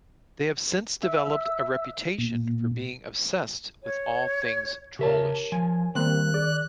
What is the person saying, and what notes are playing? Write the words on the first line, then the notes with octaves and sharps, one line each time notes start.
They have since developed a reputation for being obsessed with all things trollish.
E5
A#2
C#5
C#3 G4 A#4 C#5 E5 A5
F3 G#5
D#3 G3 A#3 C4 F#6
G#4 D5